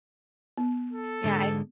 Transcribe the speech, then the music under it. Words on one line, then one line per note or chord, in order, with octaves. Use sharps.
yeah I
B3
A4
G#2 D3 G#3